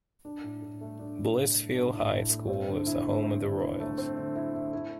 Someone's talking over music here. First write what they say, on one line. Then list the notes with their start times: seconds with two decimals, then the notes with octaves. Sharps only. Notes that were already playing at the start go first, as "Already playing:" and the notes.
Blissfield High School is the home of the Royals.
0.25 D4
0.44 A2
0.62 A2
0.81 A3
0.99 D4
1.18 A2
1.36 A2
1.55 A3
1.74 D4
1.93 A2
2.11 A2
2.30 A3
2.49 C4
2.68 D3
2.87 E4
3.05 A3
3.23 C4
3.42 D3
3.61 E4
3.80 A3
3.98 C4
4.17 D3
4.35 E4
4.54 A3
4.73 E4